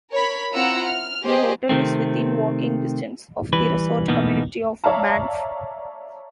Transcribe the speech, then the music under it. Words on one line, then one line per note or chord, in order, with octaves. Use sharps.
The hotel is within walking distance of the resort community of Banff.
A#4 C#5 B5
C4 E4 F4 F#5 A#5 E6
F6
G4 G#4 C5 D#5
C3 D#3 A3 C4
E3 G3 B4
B2 E3 A#3 B3 D#4
C#5 D5 E5 F5 A5 A#5